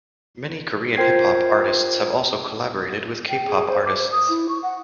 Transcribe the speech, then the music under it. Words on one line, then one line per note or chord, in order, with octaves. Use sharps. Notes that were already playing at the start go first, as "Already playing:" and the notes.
Many Korean hip hop artists have also collaborated with K-pop artists.
F4 A#4 C5 G5 G#6 C7
G5
G#4
C5
D6
C5
D#6
E4
C#6
F#5